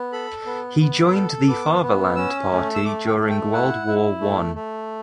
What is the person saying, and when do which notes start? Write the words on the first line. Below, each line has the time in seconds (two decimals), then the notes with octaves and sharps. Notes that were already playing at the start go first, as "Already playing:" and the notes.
He joined the Fatherland Party during World War One.
Already playing: B3
0.13 A4 B5
0.46 B3
0.80 B3
1.14 A4
1.48 B3 D6
1.82 B3
2.16 C#4 E6
2.51 A3
2.75 E6
2.84 A3 D6
3.07 G5
3.19 A3
3.30 G5
3.52 E4 F#5
3.87 E4
4.21 A3
4.55 A3